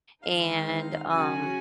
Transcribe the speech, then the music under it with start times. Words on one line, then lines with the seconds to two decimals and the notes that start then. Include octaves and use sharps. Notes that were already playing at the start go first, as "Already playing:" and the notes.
and, um,
0.23 D#3 G#3 C4 D#4 F5
1.09 C#3 F#3 C#4 F#4 G#5